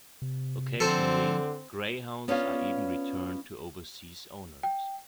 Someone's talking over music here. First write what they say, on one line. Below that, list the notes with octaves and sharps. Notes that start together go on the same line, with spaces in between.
Occasionally greyhounds are even returned to overseas owners.
C3
D3 F3 C4 A4 C5
B3 C#4 D4 F4 C#5 F5
G5